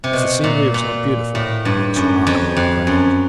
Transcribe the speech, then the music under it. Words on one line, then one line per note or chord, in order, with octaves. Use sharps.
If the scenery was not beautiful, it was remarkable and grand.
C3
B2
A#2
A#2
A2
G2
F#2
F2
F2
F#2